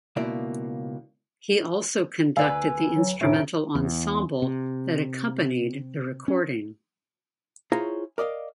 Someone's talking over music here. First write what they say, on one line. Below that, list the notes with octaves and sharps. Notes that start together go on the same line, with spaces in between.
He also conducted the instrumental ensemble that accompanied the recording.
C#2 B2 A#3 E4 D5
D2 B4 D5 F5 G#5 E6
F#3
F1 A2 C#4 E5 D7
E2
C3
C#4
E4 F4 G#4 C5 C#5 A#5
A#4 D5 D#5 F5